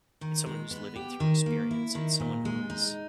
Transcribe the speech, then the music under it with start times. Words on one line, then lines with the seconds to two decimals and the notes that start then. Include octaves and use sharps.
it's someone who's living through experience. It's someone who is
0.21 D#3
0.46 G#3
0.71 B3
0.96 G4
1.20 D#3
1.46 A#3
1.71 E4
1.95 D#3
2.20 A#2
2.45 G#3
2.70 D#4